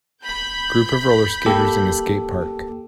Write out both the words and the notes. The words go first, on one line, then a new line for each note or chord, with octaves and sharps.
Group of rollerskaters in a skate park.
B5 G6
A#3 G4 A4